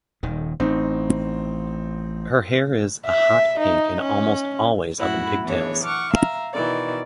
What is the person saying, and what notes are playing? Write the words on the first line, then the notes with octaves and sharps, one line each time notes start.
Her hair is a hot pink and almost always up in pigtails.
D#1 D#3
A1 C4 D#4
E5
D#4
C#4
F#2 A2 E4 F#4 B5
E3 B3 D4 G#4 C#5
F#5 C#6 D6 F6
E5 F5 A#5
B2 D#3 E3 D5